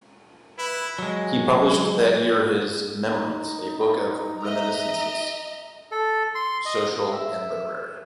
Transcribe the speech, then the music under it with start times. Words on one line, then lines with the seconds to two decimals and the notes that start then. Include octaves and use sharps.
He published that year his "Memories", a book of reminiscences, social and literary.
0.58 E4 B4
0.99 F#3 G#3
3.08 D#4
4.41 D#5 E5 A#5
5.91 A4
6.35 C6
6.65 D#5
7.12 E5